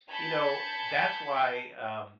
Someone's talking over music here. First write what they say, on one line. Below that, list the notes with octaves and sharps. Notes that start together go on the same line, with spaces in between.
you know, that's why, um,
G#5 A5 B5 G6 C#7